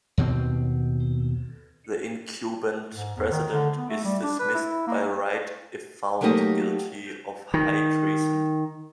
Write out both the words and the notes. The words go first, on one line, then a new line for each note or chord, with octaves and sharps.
The incumbent President is dismissed by right if found guilty of high treason.
D#2 B2 A3 C4
G#2
E2
D#3
D3
B3
A3
G3
D4
B4
E4
A#3
F#3 A3 A#3 D#4 G4 D#5
D#3